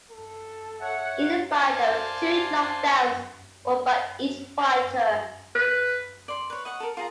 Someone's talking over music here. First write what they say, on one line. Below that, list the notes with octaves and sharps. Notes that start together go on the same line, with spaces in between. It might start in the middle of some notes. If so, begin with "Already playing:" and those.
In the fight there were two knockdowns, one by each fighter.
A4
C#5 E5 F#5
C5 D5 F5 G#5 A5
B4
D5 C6
B4 C#5
D#5 F#5 C#6
A4 A#4
F4 G#4 A#5